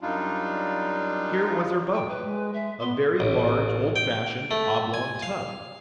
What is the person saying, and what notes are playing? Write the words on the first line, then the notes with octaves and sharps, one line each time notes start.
Here was her boat! a very large, old-fashioned, oblong tub.
F#2 G3 D4 D#4 F4
G5
B4
G#3
G#3 E5
B3 C6
A1
G5
A3
G#5
F5